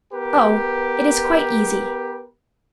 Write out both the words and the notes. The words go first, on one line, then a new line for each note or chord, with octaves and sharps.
'Oh, it is quite easy.
B3 G4 A#4 B4